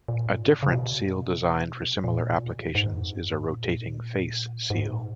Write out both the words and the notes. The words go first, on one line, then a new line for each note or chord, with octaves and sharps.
A different seal design for similar applications is a rotating face seal.
A#2
G#2
A#2
C#3
B2
A#2
B2
A#2
G#2
F2
F#2
G#2
A#2
G#2
A#2